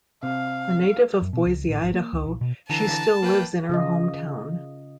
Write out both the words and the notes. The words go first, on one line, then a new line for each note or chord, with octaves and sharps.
A native of Boise, Idaho, she still lives in her hometown.
C3 F5
F#2
B2
C#2
A1
G#1
A#3
C#2
A#1
B2
D3 E3 A5 A#5
A#3 B4 G5
C#3 F4 D#5